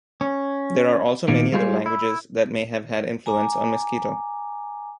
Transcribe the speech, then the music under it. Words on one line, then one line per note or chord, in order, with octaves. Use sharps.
There are also many other languages that may have had influence on Miskito.
C#4
A#2 D#3 A#3
G3 G#3 F4 G#4 B4 C5
E4
G#5 A#5 D6